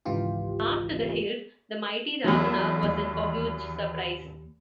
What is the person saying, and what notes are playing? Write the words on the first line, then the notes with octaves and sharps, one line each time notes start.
Armed to the hilt the mighty Ravana was in for a huge surprise.
G#1 C#2 E3 F4 G4
E2 F#3
D#2